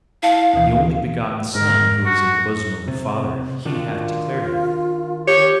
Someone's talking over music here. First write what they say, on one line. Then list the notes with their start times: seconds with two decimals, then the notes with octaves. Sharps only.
The only-begotten Son, who is in the bosom of the Father, He hath declared Him.
0.23 E4 F5 A5
0.54 D2 B2 E3
1.55 G#2 A#4
2.06 F#4
2.88 C3
3.65 D#3 D4 F4 F#4
5.27 G4 C#5